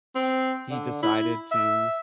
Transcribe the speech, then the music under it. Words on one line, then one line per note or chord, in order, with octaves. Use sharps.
he decided to
C4
D3
E4
E5